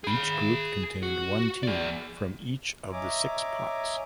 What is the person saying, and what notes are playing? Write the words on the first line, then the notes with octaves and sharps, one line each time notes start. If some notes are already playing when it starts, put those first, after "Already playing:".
Each group contained one team from each of the six pots.
G#4 B5
F#4
G#4 D5
C#5 D#5 E5 G#5 A#5 D6